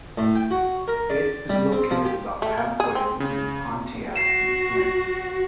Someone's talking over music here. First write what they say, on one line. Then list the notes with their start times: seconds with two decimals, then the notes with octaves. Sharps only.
It is located about halfway between Pontiac and Flint.
0.18 A2
0.36 G5
0.51 F#4
0.88 A#4
1.10 D5
1.50 G3
1.72 C4
1.91 F3
2.05 G4
2.42 A3
2.57 A#3
2.80 G#4
2.95 C4
3.20 C#3
4.16 F#4 C7 E7